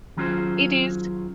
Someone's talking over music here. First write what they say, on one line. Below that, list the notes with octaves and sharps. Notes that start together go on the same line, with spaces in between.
it is,
D#3 F#3 C#4 F4 G#4 C5